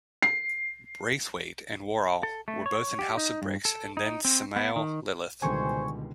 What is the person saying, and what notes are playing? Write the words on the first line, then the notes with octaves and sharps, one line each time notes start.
Braithwaite and Worrall were both in House of Bricks and then Samael Lilith.
C7
A4
A3
C#5
G4
D#4
G2
A4
D#4
C4
B3
D#3
C#2 B2 D3 D#3 G3 C5 G#5 C#6